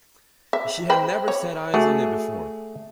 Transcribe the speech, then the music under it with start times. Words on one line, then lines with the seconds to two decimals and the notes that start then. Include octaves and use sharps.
She had never set eyes on it before.
0.53 E5
0.90 C5 G5 B5
1.28 C#5
1.74 A3 F#4 G#4